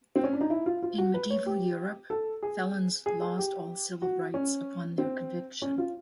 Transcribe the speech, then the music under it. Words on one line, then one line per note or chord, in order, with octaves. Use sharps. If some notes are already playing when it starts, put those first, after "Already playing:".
In medieval Europe, felons lost all civil rights upon their conviction.
C4
C#4
D4
D#4
E4
F4
F4
F#4
B4
C#5
G4
A4
G#4
G#4
G#4
G4
F#4
C#4
C4
C#4
F4